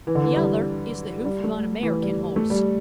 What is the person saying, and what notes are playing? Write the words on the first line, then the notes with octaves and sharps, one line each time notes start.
The other is the hoof of an American horse.
E3
D3
E3
G3
G3
A3
E3
G3
G3
A3
G3